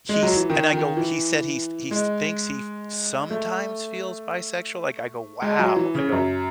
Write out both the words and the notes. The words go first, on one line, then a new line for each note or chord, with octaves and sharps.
"He's" And I go, "He said he's he's thinks he f sometimes feels bisexual?" Like I go, "Wow," I go,
G#3
F#3
E3
D#3
D#3
E3
G#3
A3
G#3
F#3
E3
C#3
F#2